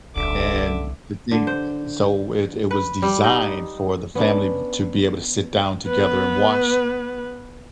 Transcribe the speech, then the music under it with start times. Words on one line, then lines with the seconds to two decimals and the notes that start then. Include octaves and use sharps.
And the thing so it it was designed for the family to be able to sit down together and watch
0.16 D#1 C2 D3 E5 D6
1.31 D3
1.47 C5
2.71 B4
3.02 G3
3.24 D#4
4.15 B3 C#4 D4
5.88 B3 B4